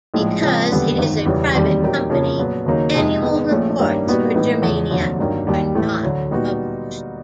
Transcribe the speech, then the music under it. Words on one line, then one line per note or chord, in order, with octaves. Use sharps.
Because it is a private company, annual reports for Germania are not published.
A#1 A2 F3 G#3
C#3 F3 G#3 C4
E1 D#2 D3 G3 B3
G#1 F#2 D#3
E1 E2 C#3 E3 G3
E1 D#2 D#3 G3 C4
A#2 F#3 A#3 D#4 G4
F2 C#3 F3 A#3 C#4
A#2 F#3 B3
D#2 C#3 F#3 A#3 D#4
F2 C3 F3 G#3
G#2 D#3 G#3 B3
A#1 A#2 F3 A3 C#4
G2 D#3 G3 A#3 C#4
A#2 G3 B3 D#4 F#4
A2 E3 G#3 B3 D#4
E2 C#3 F3
F1 D#2 D3 F#3
G1 G2 D#3 F#3 A#3
D#2 D#3 G3
A2 E3 A3
D2 D3 F#3
A#2 G3 B3 D#4 F#4